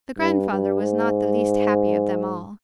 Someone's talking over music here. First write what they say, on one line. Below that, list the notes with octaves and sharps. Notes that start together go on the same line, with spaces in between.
The grandfather was not the least happy of them all.
G2
G2
G#2